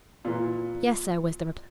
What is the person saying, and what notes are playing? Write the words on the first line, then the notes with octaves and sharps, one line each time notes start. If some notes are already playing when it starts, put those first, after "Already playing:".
"Yes, sir," was the reply.
A#2 E3